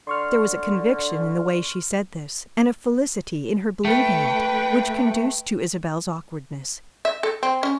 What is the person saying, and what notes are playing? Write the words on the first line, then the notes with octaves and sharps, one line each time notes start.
There was a conviction in the way she said this, and a felicity in her believing it, which conduced to Isabel's awkwardness.
D3 C6 C#6 F6
A3 B4 G5
E5
A4
C4
C#4